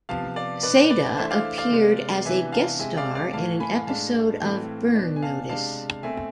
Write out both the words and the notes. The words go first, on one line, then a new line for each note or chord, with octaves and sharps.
Seda appeared as a guest star in an episode of "Burn Notice".
C3 F3 B3 F5 A5
D5 F5
B2 B3 D4 B4 D5
B4 D5
E3 A3 D4 C5 E5
D5 F5
D5 F5
C3 G#3 B3
C3 E3 B3 D4 E5 G#5
F5 A5
C3 G#3 C4 E5 G#5
D5 F5
D5 F5
A2 E3 A3 F5 A5
G#5 B5
A2 G#3 D4 F5 A5
A2 E3 A3 C4
B2 B3 D4
G#5
F5 A5
C3 G#3 D4 F5 A5
B2 A3 C4 E5 G#5